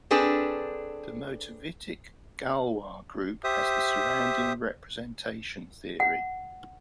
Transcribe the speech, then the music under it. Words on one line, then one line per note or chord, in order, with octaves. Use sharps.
The motivic Galois group has the surrounding representation theory.
C4 D4 G#4 A4 B4
G4 C5 E5 D#6
F#5